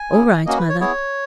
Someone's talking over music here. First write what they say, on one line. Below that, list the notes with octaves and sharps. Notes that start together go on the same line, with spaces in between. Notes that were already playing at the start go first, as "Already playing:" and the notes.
'All right, Mother.
Already playing: G#5
C#4 E4 G#4
A#3 C#4 F#4 D#5
B4
C#5
B3 E4 G#4 C#5